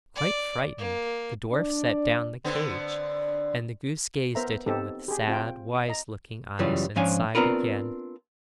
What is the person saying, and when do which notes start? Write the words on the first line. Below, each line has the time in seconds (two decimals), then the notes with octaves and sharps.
Quite frightened, the dwarf set down the cage, and the goose gazed at him with sad wise-looking eyes and sighed again.
0.16 D5
0.78 A#3
1.53 D4 D5
2.44 D3 B3 C4
4.35 B3 A#4 C5 E5 A#5
4.66 B3 C4 D#4 G4 A4
5.08 G4 G#4
5.28 C4 F4 G5
5.88 D#5 A#5
6.59 F#2 C#3 E3 G3 F4
6.96 G#2 F3 C#4 D4 F5 G#5
7.35 B3 C4 D4 F4 A#4 B4